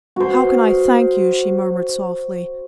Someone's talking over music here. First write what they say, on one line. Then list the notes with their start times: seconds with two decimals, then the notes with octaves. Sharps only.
"How can I thank you?" she murmured, softly.
0.16 F#4 C5